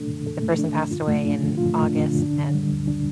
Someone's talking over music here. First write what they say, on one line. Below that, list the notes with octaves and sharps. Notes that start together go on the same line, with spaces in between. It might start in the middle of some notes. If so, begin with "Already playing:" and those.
if the person passed away in August and,
Already playing: A3 D4 A4
D3
A4
A3
D4
D3
F4
A3
D4
D3
F4
A3
D4
D3
D4
D3
G3
D2
D4